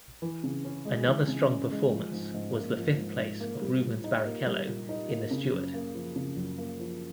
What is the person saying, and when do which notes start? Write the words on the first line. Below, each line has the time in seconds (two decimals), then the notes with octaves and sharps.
Another strong performance was the fifth place of Rubens Barrichello in the Stewart.
0.22 E3
0.44 C#3
0.64 C#4
0.85 G#3
1.07 E3
1.28 C#3
1.50 C#4
1.71 G#3
1.92 F3
2.13 G#2
2.34 G#2
2.55 A#3
2.77 F3
2.98 G#2
3.19 G#2
3.40 A#3
3.62 G3
3.83 A#2
4.04 D#4
4.25 A#3
4.46 G3
4.67 A#2
4.89 D#4
5.10 A#3
5.31 C#3
5.53 F#2
5.74 A#3
5.95 F3
6.16 C#3
6.37 F#2
6.58 A#3
6.79 F3